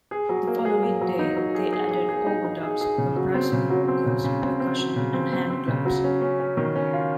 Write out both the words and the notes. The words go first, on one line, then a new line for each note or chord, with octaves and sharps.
The following day, they added overdubs, comprising vocals, percussion and handclaps.
G#4
F#3
A#3
G#4
A#3
F#3
D#4
F#3
G#4
G#4
G#4
G#4
D#4
D#4
G#4
G#4
C#3
F#3
C4
C#3
F#3
C4
C#3
C#3
C4
C4
F#3
C#3
C4
C4
C4
C#3
F#3
C#4
C#4
C#4
D#3
C#4
F4